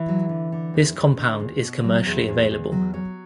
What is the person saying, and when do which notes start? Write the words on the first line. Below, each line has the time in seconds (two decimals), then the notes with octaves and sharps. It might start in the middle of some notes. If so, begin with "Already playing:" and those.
This compound is commercially available.
Already playing: E3 E4
0.08 F#3
0.29 D3
0.52 D3
0.74 E2
0.96 E2
1.18 D3
1.40 E2
1.62 B2
1.84 F#3
2.06 E2
2.28 E2
2.51 E2
2.72 F#3
2.94 F#3